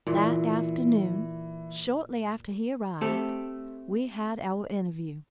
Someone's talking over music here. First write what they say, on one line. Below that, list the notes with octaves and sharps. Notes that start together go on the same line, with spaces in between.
That afternoon, shortly after he arrived, we had our interview.
A#2 E3
A3 C4 G4 A4